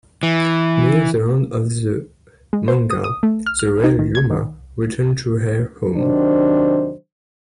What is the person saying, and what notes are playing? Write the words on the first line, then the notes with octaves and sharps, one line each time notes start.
Near the end of the manga, the real Yuna returns to her home.
E3
G#3
C5
D#6
D#6
A3
F6
F6
D#4
D#3
G#6
D#3
C3 D#3 F#3 D4 C5